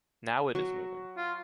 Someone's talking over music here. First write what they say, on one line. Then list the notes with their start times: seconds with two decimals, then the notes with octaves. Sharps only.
Now it is moving.
0.55 F#3 F#4 C#6
1.17 F4